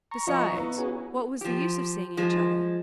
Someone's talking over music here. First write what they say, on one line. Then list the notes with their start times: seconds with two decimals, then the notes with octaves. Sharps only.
Besides, what was the use of seeing each other?
0.11 A#5 C#6
0.27 F3 D#5 C#7
0.55 B3 E4 B4
0.78 C#4 F#4 G#4
1.41 F3 G4
2.17 F3 G#3